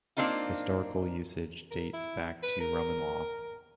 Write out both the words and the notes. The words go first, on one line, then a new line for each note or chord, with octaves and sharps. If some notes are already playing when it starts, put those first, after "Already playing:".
Historical usage dates back to Roman Law.
A#3 C4 D4 D#4 F4
A#4
E4
B4
A#4